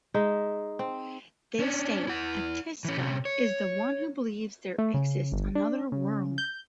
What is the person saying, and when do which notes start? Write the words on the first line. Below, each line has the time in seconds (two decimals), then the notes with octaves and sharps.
They state, Astika is the one who believes there exists another world.
0.14 G#3 D#4 E5
0.79 C4
1.59 C#4 D4
2.07 E4 F#5
2.85 E3 C#4
2.97 C3 C#4
3.25 C#5
4.78 A3
4.94 C#3
5.32 G1
5.55 D4
5.92 C#3
6.38 G6